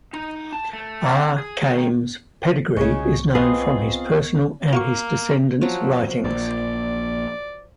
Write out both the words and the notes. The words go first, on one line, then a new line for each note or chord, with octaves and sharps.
R. Khaim's pedigree is known from his personal and his descendants' writings.
D#4
A5
A3
C4
G#4
D#3
C2 C#3 G#3 C#6
B3 C4 F4 G#4 D#5
A#3 F4 F#4 C#6
F3 F#3
A#1 A#2 D5